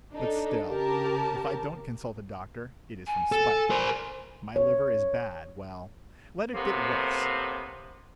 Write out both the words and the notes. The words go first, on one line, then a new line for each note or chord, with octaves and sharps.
But still, if I don't consult a doctor it is from spite. My liver is bad, well--let it get worse!
D4 D#4 A4
C#3 G4 A#4 A5
G#5
A4
A#4 C5
C#5
A2 C3 A#3 B3